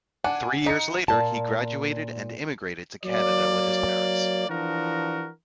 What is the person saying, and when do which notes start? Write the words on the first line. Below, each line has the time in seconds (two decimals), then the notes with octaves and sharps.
Three years later, he graduated and immigrated to Canada with his parents.
0.24 D4 F#5 G#5
0.66 D#4 A#5 C#7
1.08 A#2 D5 A5
3.04 F#3 A#3 C#5 D5
4.50 E3 F3 D4 F#4 A#4